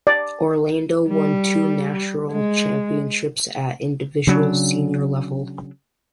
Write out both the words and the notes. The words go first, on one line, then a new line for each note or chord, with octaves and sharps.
Orlando won two national championships at individual senior level.
D5
G3
G#3
C#3 F#3 D4